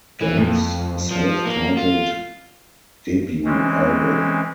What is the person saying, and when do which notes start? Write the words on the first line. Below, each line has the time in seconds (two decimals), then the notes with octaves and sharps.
Guns' self-titled debut album.
0.21 E3
0.37 F2
1.11 F3
1.46 A#3
1.77 F4
3.45 E3 G#3 C4 C#4